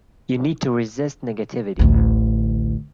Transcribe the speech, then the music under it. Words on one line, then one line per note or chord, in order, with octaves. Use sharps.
You need to resist negativity.
A1 D2